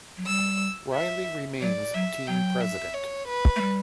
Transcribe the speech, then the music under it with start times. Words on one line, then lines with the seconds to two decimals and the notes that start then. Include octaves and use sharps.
Riley remains team president.
0.17 F#3
0.27 G3 E6
0.94 E5
1.60 F#3 D5
1.94 F#3 E5
2.27 F#3 G5
2.61 E5
2.94 C#5
3.28 B4
3.56 A3
3.61 G3